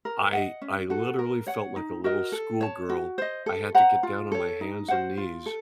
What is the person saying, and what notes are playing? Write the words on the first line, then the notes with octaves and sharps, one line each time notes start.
I I literally felt like a little schoolgirl, I had to get down on my hands and knees
A#4
D#5 F#5
C#4
F#4 A4
A#4
C#5 F#5
D#4
F#4 A#4 D#5
A4
C#5 A5
F#4
C5 D#5
A4
C5 F#5 A#5
F4
A4 C#5
D#4
F#4 C5 F#5
F4
A4